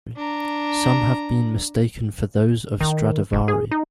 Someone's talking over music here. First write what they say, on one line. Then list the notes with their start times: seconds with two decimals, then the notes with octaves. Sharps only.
Some have been mistaken for those of Stradivari.
0.16 D4 A#5
2.81 D#3
3.33 F1
3.48 G#4
3.71 D#4